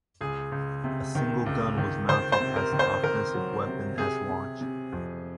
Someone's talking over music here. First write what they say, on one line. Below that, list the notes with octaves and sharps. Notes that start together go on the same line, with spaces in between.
A single gun was mounted as the offensive weapon as launch.
C#2 G#4
C#2
C3
D#3
C#2
D#3
D#3 C5
C5
C3
A#4
D#3
C5
D#3 A#4
F#3
C3
C3 G#4
C3
C3
F2